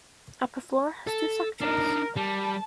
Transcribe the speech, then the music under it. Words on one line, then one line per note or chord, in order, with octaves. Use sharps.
Upper floor has two sections.
A4
D4 D#4 A#4
G3 A5